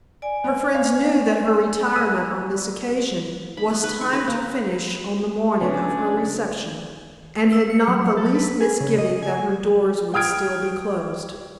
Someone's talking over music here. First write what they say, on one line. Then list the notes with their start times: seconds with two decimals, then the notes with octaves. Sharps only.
Her friends knew that her retirement on this occasion was timed to finish on the morning of her reception and had not the least misgiving that her doors would still be closed.
0.22 D5 G#5
0.44 B3
0.74 C5 C#5 F5
1.96 E6 D#7
3.57 B5
3.71 B3
3.84 B4
4.01 C#6
4.13 B4
4.28 A#3
5.61 C#3 B3 C#4 D4 G#5
7.53 E6
7.70 C#7
7.88 F#3
8.05 F#3
8.17 A4
8.35 B4
8.61 G#4
8.81 C#3
8.98 D#5
9.23 G#5
10.14 G5 D#6 F6 G#6 D7